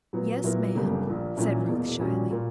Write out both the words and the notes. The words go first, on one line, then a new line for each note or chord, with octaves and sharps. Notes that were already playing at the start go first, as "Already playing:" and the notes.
"Yes, Ma'am," said Ruth, shyly.
A#2 F#3 B3
A#2 F#3 B3 E4 A#4
G1 F#2 C#3 G3 A#3
A#1 A#2 A#3
A#1 A#2 F#3 C#4 E4
E1 E2 B2 A#3
A#1 A#2 G3 C#4 F#4
A#2 A#3